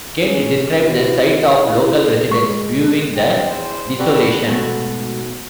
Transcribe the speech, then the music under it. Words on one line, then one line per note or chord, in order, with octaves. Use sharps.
Kent described the sight of local residents viewing the desolation.
C#4 G#4
G3 G#3 C4 C#4 E4 F#4
E4
G#3 C#6
C4
E2 C5
F#4 G4 A4 B4 D5
G#2 B2 A3 F#4